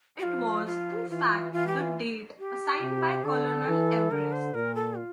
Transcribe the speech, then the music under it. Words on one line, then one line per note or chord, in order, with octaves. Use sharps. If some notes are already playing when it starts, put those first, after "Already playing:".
It was, in fact, the date assigned by Colonel Everest.
G4
F3 F4
F4
E3 F4
E3 F4
G4
F4
G4
C3
D3 A4
E3
D3 A#4
C5
A#2 A#4
A4
F4